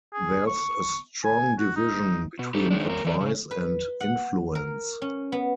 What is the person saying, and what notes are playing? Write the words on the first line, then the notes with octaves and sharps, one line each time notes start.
There's a strong division between advice and influence.
G#4
C#6
G#5
F#4
D#4
B2
D#4 G4 A4
F#2 D#3 G#3 D4
G2 A#4
E3 D5
C#3
B4
F#5
A#4
C#4
B3